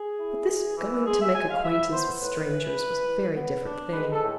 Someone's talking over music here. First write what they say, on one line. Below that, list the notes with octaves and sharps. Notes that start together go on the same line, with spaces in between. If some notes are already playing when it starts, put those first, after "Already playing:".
But this going to make acquaintance with strangers was a very different thing.
Already playing: G#4
E4
E3
E3
G#3 G#4
E5
G#3 G#5
F5
E4 E5
B3 C5
A2 B4
E3
E3
E3
B3
D4
G#3 B4
A4
A2